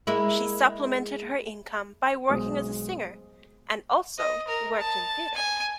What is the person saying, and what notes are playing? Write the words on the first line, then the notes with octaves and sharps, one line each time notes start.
She supplemented her income by working as a singer, and also worked in theatre.
G#3 A#3 E4
B1 G#3 C5 D#6
D#5
A#4
A5
G#5